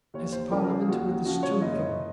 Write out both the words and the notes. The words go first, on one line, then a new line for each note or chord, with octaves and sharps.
His Parliament withstood him.
D#2 C#5
C5
C#3 F3 A#4
A#4
G#4
D#2 F#4
F#4
C#3 F3 F#4
C#5
F#1 D#5